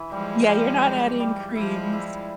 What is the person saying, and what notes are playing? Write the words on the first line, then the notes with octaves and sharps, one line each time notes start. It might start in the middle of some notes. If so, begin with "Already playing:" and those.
Yeah, you're not adding creams.
Already playing: E3 E4
F3 G3 G#3
G3
G4
G3
F3 G#3 E4
E4